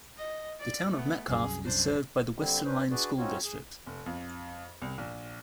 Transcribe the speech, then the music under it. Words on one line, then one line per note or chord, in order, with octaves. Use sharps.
The Town of Metcalfe is served by the Western Line School District.
D#5
D5
A3 B3
C2 F#2 G#4
D4 C5
D3 G3 C4
C#4 D4 B4 C5
D4 F#4 G#4 B4 D5
C4 C#4 D#4 F4 F#4 C#5
G#4
F1
F2
C2
A#1